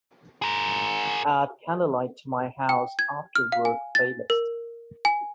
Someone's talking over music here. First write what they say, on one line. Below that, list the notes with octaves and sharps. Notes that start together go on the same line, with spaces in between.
Add Candlelight to my House Afterwork playlist.
G#4 A#4
G5
G#6
F6
F5
G#5
A6
A#4
G#5